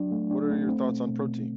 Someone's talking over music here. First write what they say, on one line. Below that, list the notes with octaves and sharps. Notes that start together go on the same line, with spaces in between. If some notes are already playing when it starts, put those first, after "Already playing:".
What are your thoughts on protein?
Already playing: F#3 D4
A3
D4
A3
C4
B2
B2
B2